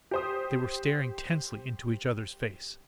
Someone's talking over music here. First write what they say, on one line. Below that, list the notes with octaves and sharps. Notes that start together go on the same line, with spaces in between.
They were staring tensely into each other's face.
G4 C5 D#6